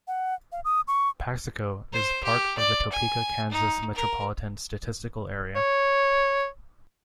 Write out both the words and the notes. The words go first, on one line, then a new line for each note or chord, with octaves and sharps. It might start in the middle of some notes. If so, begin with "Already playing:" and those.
Paxico is part of the Topeka, Kansas Metropolitan Statistical Area.
F#5
F5
D#6
C#6
C5
G4
D5
G#5
D#4
A#4
C#5